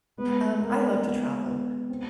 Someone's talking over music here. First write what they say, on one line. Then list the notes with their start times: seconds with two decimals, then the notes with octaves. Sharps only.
Um, I love to travel.
0.18 G#3 B3
0.61 A#3 B3
1.04 B3
1.46 B3
1.89 C4